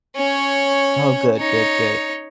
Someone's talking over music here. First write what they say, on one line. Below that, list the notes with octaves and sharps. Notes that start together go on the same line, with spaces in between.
Oh, good, good, good.
C#4 C#5
D#4 C#5